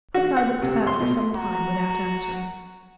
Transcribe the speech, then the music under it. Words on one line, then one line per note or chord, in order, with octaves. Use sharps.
Quickeye looked about for some time without answering.
F#4
F#5
C3
C6
B2
F#4 A#5